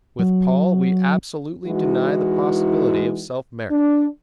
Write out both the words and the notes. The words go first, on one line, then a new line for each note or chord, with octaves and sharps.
With Paul we absolutely deny the possibility of self merit.
F#3
E3 G#3 D#4 E4 F#4
D4